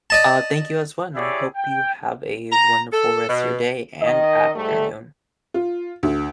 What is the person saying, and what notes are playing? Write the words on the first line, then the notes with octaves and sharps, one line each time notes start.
Uh, thank you as well, I hope you have a wonderful rest of your day and afternoon.
D5 D#5 A5
E4 G4 G#4 C#5 D5 E5
G5
A#5
A4
B2
D#3 D#5
G#2 G3 A3
F4
D2